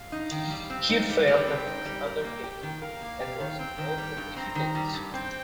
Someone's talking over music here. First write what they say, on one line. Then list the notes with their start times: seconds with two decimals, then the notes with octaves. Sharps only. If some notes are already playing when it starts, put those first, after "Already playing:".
He failed in his undertaking, and was involved in difficulties.
Already playing: F5
0.12 D#4
0.31 D#3
0.50 G3
0.70 C4
0.89 D#4
1.09 G3
1.27 G3 G5
1.47 C4
1.67 D#4
1.85 G3
2.05 A#4 G5
2.24 A#3
2.43 G4 G5
2.63 D#3
2.82 A#4 F5
3.02 A#3
3.20 G4
3.40 D#3
3.59 C4 G5
3.78 D#3
3.98 G3
4.17 G2
4.36 C4 A#5
4.55 D#3
4.75 G3
4.94 G2
5.13 C4 G5